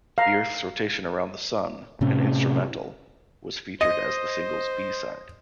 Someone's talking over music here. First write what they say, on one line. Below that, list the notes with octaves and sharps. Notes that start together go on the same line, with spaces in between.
"The Earth's Rotation Around the Sun", an instrumental, was featured as the single's B-side.
F5 A#5
A2 C3 C#4
C5 D#5